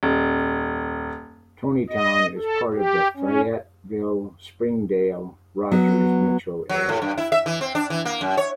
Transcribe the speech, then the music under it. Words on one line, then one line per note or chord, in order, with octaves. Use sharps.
Tonitown is part of the Fayetteville, Springdale, Rogers metro area.
D#1
D#5
A4
G4
C#4
F#3 B3
F#3
A2
G2
E4
E5
E3
C4
D4
E3
A#3
F#2
C#5